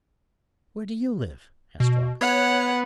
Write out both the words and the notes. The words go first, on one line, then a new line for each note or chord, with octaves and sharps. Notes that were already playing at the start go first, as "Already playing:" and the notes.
"Where do you live?" asked Robin.
B2
B3 C#5 F#5